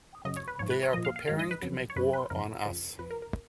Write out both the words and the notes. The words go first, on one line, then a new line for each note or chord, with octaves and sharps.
They are preparing to make war on us.
F#2 C#3 F#3 D#5
C#5
B4
G#2 F3 C#5
B4
C#5
A#2 F3 D#5
F5
F5
G#2 D#3 F#3 F5
D#5
B4
F2 C#3 F#3
C#5
F#2 C#3 F#3 B4
B4
F#2 C#3 F3 A#4
F2 C#3 F3
F2 F3 B4
A#4
A#4